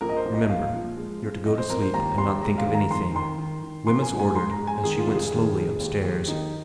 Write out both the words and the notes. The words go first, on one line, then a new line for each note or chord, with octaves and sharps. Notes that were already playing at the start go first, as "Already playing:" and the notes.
'Remember you're to go to sleep and not think of anything,' Wemyss ordered as she went slowly upstairs.
A#1 A#4
D#5
C5
A#1
D#5
A#2 F5
F3
G#3
F2
F2 D#5
C5
F2 A#4
C5
D#2 A#5
D#2 C6
G#3 A#5
F5
D#3
A#5
F2 C6
D#3 C6
D#3
D#3
F3 C6
G#5
G#3
G#5
G#2 C6
A#5
G#3
G#5
D#3 G#4
F4
F1
G#4
D#3
F1
D#2
D#2
D#3 D#4